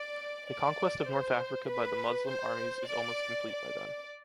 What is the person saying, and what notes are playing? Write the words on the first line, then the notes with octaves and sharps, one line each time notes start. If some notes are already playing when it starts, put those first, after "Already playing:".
The conquest of North Africa by the Muslim armies is almost complete by then.
Already playing: D5
D5
C5
B4
C5
D5
D5